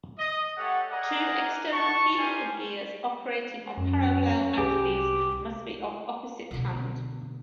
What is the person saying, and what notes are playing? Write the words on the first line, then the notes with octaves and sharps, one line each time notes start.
Two external helical gears operating on parallel axes must be of opposite hand.
D#5
A3 G4 A4 C#5 F#5
G#4 A#4 D5 D#5 F#5 A#5
A5 C#6
G3 G4 A#4 C5 G#5
F#2 C#4
C2 G4 G#4 B4
B2 D3